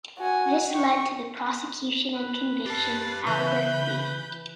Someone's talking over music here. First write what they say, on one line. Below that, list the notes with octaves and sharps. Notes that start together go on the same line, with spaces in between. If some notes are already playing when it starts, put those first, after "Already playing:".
This led to the prosecution and conviction of Albert B.
F#4 G#5
G5 C#6
B4
G4 A5 A6 C7
C#3 E3 B5 G6